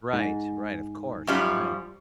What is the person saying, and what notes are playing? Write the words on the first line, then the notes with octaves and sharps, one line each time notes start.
Right, right, of course, right.
G#2
F#2 F3 G3